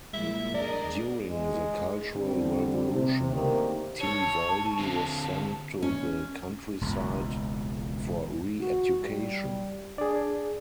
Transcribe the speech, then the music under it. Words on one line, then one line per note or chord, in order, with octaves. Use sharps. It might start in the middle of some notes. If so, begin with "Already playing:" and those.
During the Cultural Revolution, Tiliwaldi was sent to the countryside for "re-education".
A#2 F3 G3 G#3 E4 E5
D4 G#4 A#4 D5 D#5
G#3
D3 G3 C4
C3
D2 D#3 A#3 G4 A#4 C5
C#5 A5
D3 C4
C#4
E1 C#2
F#4
G3
D4 G#4 D5